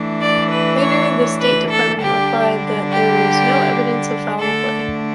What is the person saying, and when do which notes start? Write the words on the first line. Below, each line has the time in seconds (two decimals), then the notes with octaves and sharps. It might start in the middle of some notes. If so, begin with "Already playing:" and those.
Later the State Department replied that there was no evidence of foul play.
Already playing: E3 A3 D4
0.21 D5
0.51 B4
0.81 C#5
1.41 B4
1.71 A4
2.01 D3 G3 D4 G4
2.91 G4
4.40 D3 A3 D4 A4